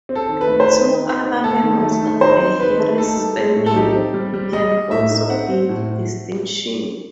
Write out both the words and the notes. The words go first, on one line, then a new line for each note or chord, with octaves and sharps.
Two other members of the Harris family have also gained distinction.
C4
A4
D#3
B4
A3
C5
D#3 B4
D#4
D#4
C4
A3 A4
D#3
A3
D#3
D#4 C5
C4
D#3 B4
A3
D#4 A4
G3
C4
A2
A4
D#4 G4
C4
G3
G3
G3 D#5
G3
A2 E5
D#4
C4 F#5
C4
A2